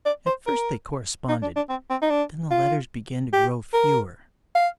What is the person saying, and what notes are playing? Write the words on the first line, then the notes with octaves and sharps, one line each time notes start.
At first they corresponded, then the letters began to grow fewer.
D5
C5
A#4
D#4
D4
D4
C4
C4
D#4
D4
F4
G4
A#4
F5